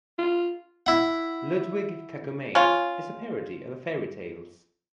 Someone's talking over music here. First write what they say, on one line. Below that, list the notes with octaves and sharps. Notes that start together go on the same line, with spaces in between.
"Ludwig Kakumei" is a parody of fairy tales.
F4
E4 F#5
C#4 F4